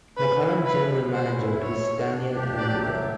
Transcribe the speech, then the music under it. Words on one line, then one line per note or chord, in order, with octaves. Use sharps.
The current general manager is Daniel Almeida.
C#4 B4
E4
B2 B4
G#3
C#4 C5
E4
B2 C#5
G#3
D4
G4
F#3 D5
A3